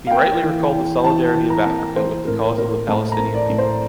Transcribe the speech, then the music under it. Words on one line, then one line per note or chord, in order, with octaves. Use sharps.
He rightly recalled the solidarity of Africa with the cause of the Palestinian people.
F5
A#3 G5
E3
E3
E3 A5
E3
A#5
A#3
E3 C5
A2 A#4
A#3 A#4
A2 A5
A#5
A#3
D5
A2
C5